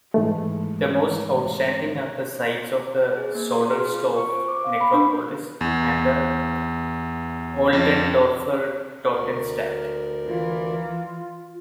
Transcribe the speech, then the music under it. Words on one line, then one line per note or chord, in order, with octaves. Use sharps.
The most outstanding are the sites of the Soderstorf Necropolis and the Oldendorfer Totenstatt.
G#2 E3 G#3 A3
G#4
A#3
C6
G#4
F4
C#6
C5
D6
F5
B5
D4
E2
F2
D2 A#4 D5
E3 F4